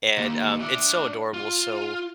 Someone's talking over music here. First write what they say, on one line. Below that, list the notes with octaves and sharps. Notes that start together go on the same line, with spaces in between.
and, um, it's so adorable. So,
D#2
D4 E5
F4